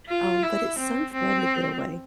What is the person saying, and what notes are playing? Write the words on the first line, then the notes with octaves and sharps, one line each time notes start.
Um, but it's so fun to get away.
F4
E4
C4
C4